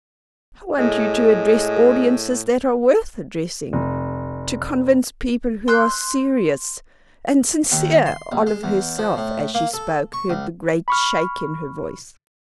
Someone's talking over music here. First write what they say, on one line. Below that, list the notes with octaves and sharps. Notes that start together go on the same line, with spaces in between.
"I want you to address audiences that are worth addressing--to convince people who are serious and sincere." Olive herself, as she spoke, heard the great shake in her voice.
A2 G#3
F1
C6 E6 F#6 G6
D#2
C6
A#1
G#3
E2
F3
A2
A#3
A4
C#6
C#2
B5 C#6 F6